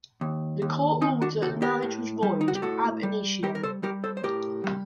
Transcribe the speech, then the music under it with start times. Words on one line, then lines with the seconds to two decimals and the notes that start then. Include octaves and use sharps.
The Court ruled that the marriage was void "ab initio".
0.21 D#2
0.62 D#2
1.02 D#3 C4 D#4
1.22 D4 F#4
1.42 D#2 F#4 A4
1.62 G4 A#4
1.82 A2
2.23 G3
2.41 D#4
2.48 F#4
2.55 G4
2.62 A2 F#4 A4
3.03 G3
3.43 G3 G4 A#4
3.55 A#4
3.63 A4 C5
3.83 G3 G4 A#4
4.04 A4 C5
4.17 C5
4.24 A2 G4 A#4
4.64 G3